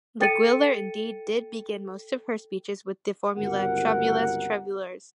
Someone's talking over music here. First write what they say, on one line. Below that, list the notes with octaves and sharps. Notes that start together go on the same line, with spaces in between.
Laguiller indeed did begin most of her speeches with the formula, "Travailleuses, travailleurs!".
A4 G5 A6 C#7 D#7
G1 C#2 C4 F#4 A#4 F#5